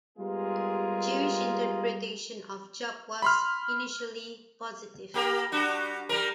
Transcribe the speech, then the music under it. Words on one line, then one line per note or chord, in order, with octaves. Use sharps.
Jewish interpretation of Job was initially positive.
G3 G#3 B3 F4 G#4 A#4
B5 C6 F6
A#3 G4 A#4
G3 D4 F#4
G3 A#4